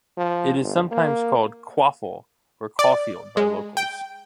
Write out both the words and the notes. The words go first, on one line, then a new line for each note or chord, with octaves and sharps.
It is sometimes called "Caufle" or "Cawfield" by locals.
F3
G1
A#3
D5
G#3
G5